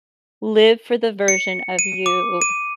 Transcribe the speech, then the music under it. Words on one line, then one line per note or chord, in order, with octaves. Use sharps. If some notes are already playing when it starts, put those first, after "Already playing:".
"Live for the version of you
C#7
D#7
D6
D#7